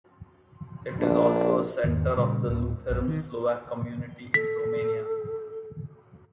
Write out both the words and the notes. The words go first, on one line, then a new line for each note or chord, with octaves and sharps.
It is also a centre of the Lutheran Slovak community in Romania.
A#1 D4
E2 G#2 D#3
A#2 C#3 G3
D2 A2
A#1 F#2
D#3
A4 B6